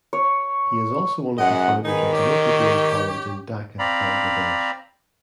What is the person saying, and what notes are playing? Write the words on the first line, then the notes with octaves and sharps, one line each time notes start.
He is also one of the founders of Notre Dame College in Dhaka, Bangladesh.
C#5
F#2 G#3 D#5 F#5
D#3 B3 D#4 G#4
G4 C#5
C4 D5 F5 A#5 B5